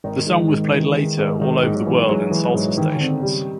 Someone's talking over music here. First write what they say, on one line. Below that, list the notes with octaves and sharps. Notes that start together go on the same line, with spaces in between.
The song was played later all over the world in salsa stations.
G#1 D#3
G#2
G#2
E3
G#3
G#2
G#1 D#3
G#2
F#3
E3
F#3 G#3
E3
F#3
G#2
D#3 E3
C#3
D3 C4
C#3 G3